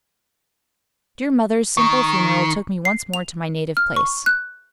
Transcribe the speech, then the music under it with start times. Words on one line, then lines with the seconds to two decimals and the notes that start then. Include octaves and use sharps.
Dear mother's simple funeral took me once more to my native place.
1.77 D#3 C#6
2.85 C7
3.14 F7
3.77 F6
3.96 C#6
4.26 F#6